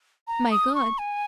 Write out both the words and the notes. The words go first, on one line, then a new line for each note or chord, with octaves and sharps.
"My God!"
A#5
D#6
C#6
G#5